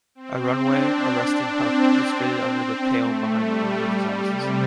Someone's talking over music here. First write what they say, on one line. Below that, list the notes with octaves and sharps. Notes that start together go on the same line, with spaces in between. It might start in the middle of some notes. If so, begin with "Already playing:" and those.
A runway arresting hook was fitted under the tail behind the engine exhausts.
C4
D4
C4
C4
C4
A3
G3
G3
C3